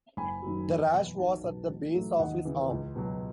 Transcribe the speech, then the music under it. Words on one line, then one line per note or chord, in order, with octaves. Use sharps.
The rash was at the base of his arm.
F#1 G#5 B5
F#2 D#3 F#3
E2
B2 F#3
B1 F#5 A5
B2 F#3
A1
A2 F#3
D#2 D#5 F#5
C#3 E3
C#2
B2 F#3